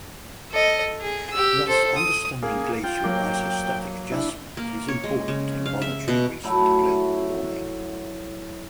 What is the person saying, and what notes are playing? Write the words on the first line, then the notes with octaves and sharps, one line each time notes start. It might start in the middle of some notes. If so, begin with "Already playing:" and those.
Thus understanding glacial isostatic adjustment is important in monitoring recent global warming.
A4 D#5
G#4
G4 E6
A4 C5
D#6
A#3 G#4
F4 G5
F#3 A#3 D6
D4 E4
A#3
C#5
G#3
C#3
F5
E5
B2
F#3 A3 E4